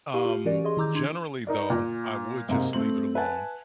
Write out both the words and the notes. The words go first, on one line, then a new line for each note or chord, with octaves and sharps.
um, generally though, I would just leave it alone,
E4 G4 F5 C#6 D#7
F4
E3 C#4 F#4 G4 A#4 D5
G#4 D#5 C6
D#3 E4 A#5 D6 E6 G6
D4 C6 G#6
D#4 A#4 D5
A#2
G#2 C3 A#3
A3 C4 F#7
B4 E5 F#5 G#5 A5